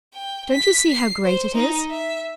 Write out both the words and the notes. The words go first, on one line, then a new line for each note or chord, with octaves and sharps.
Don't you see how great it is?
G5
B6
C7
C5
D#4
E5